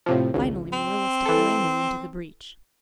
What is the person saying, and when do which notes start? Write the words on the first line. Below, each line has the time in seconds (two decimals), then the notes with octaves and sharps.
Finally Marilla stepped lamely into the breach.
0.06 A2 C3 F3
0.34 G#1 C#2
0.73 C4
1.26 E3 A4